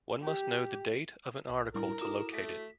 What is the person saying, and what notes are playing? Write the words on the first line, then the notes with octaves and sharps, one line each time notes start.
One must know the date of an article to locate it.
G4
B1
A2 G3 D4 E4 A#4
E4 F#4 A4 D6 D#6 E7
A3 B6